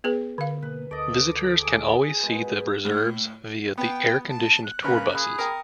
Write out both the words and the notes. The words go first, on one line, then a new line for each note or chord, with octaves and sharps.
Visitors can always see the reserves via the air-conditioned tour buses.
B3 G#4 B4
D3 B3 F5
B2 A#3 B4
D2 A4 D5 D#5 D6
G#4
B2 G#3 B4
A2
B3 G5
A5
F#6
C#3 A#3 B4
G#4 B5
A#4 G5 D#6